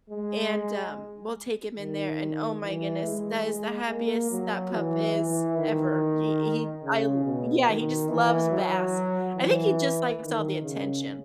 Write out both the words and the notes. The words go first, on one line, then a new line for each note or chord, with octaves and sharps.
and, um, we'll take him in there and, oh my goodness, that is the happiest that pup is ever. He he I l Yeah, he just loves baths. I think he just likes all the attention.
G#3
D#3
E3
G#3
G#3
A#3
F#3
E3
E3
D#3
C#3
B2
D#3
E3
F#3
E3
D#3
C#3